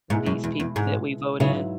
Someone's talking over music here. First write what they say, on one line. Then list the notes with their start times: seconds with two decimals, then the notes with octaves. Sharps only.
with these people that we vote in.
0.10 G#2 B2 G#3 E4 G#4
0.26 F#2
0.44 E2
0.60 E2
0.76 G#2
1.40 G#2 C#3 F#3 E4 B4 E5